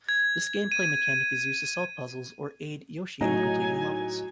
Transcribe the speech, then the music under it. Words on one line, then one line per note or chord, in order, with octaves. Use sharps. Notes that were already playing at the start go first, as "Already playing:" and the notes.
This gameplay mechanic is used to solve puzzles or aid Yoshi in completing levels.
G#6
D#7
A2 F#3 D#4 G#5